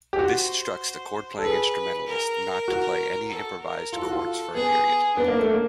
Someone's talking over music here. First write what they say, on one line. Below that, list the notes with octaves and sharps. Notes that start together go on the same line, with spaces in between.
This instructs the chord-playing instrumentalist not to play any improvised chords for a period.
G4
F#4 C5
A4
G#4 B4
A#4
F#4
A4
A#4
F4 A4
F#4
F4
B3 G#4
B3 D4
A#3
A3
A#3